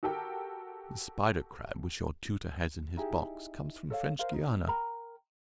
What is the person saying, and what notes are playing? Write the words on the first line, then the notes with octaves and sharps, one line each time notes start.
The spider crab which your tutor has in his box comes from French Guiana.
F#4 G4 A4 A#4 G5
D#4 E4 G4 G#4
A4 C#5 F5
A#4 C5 F5
D#4
A#4 G5 A#5 B5